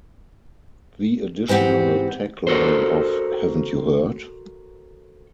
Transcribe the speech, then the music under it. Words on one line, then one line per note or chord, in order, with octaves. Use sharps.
The additional tagline of Haven't you heard?
G#2 E3 C4 G4 F#5
F#4 A4 A#4 C5